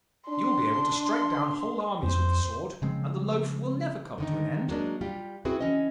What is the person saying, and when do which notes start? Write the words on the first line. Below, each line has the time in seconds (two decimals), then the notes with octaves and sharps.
You will be able to strike down whole armies with the sword, and the loaf will never come to an end.'
0.29 D4 C6
2.03 F2 C5
2.82 C#3 F3 G#3 C4
4.18 D3 D#3 D#4
4.68 F#3 G#3 A#3 D4
5.01 G3 F4 G4
5.45 C4 E4 F#4 G#4 B4
5.61 E3 C#4 D#5